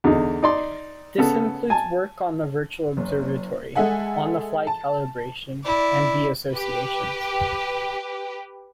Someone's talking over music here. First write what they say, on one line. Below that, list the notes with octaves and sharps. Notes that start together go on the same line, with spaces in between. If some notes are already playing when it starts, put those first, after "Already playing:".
This includes work on the Virtual Observatory, On-The-Fly Calibration, and B Associations.
E2 D3 D#4
D#4 D5 C6
C#3 B3 A4
G#5 A5
F#1
G#3 G#4 A4 E5 F#5 G#5
A5
E4 D5
G4 B4